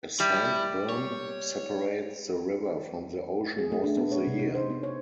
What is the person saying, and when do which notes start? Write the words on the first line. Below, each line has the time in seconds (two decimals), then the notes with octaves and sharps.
A sand berm separates the river from the ocean most of the year.
0.20 G3 E4
0.90 C#5
3.58 G#4
3.72 A3
3.84 D4
3.97 B3
4.12 C#5
4.27 C3
4.39 D#4
4.55 C5
4.70 B3
4.83 C#5